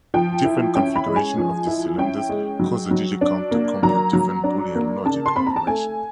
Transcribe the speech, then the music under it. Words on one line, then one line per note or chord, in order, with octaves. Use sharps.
Different configurations of these cylinders caused the Digi-Comp to compute different boolean logic operations.
F3 G5
E4
C#4 G5
B5
G#3
G#5
F3
E4
C#4 G5
G#3
F#3
F#3
D4
A#3
F#3 A#5
F#3
D4
A#3
C#3 A5
C6
C4 B5
A#5
A5
A3 G#5